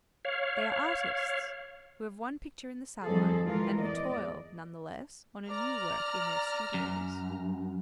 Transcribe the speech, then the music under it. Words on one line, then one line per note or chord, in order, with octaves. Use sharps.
They are artists, who have one picture in the salon, and who toil, none the less, on a new work in their studios.
C#5 F5
F2 D#3 G3 G#4 A4
E3 G#3 F4 A#4
E2 D5 D#5
D5 A#5 F6
F#2